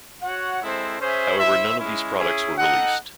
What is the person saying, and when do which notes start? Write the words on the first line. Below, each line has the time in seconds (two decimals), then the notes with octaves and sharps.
However, none of these products were released.
0.21 F#4 C#5 F#5
0.61 G#3 C4 E4 A4 C5
1.00 C#4 G#4 C5 E5
1.39 E4 C5 E5
1.78 G#3 C#4 E4
2.18 C#4 E4 G#4
2.57 D#4 A4 D#5 F#5